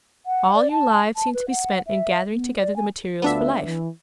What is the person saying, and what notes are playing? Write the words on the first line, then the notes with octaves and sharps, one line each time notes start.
All your lives seem to be spent in gathering together the materials for life.'
F#5
D5
A5
A5
B4
F#5
E5
B3
D5
G#5
D2 B3 D4 F4 E5
E3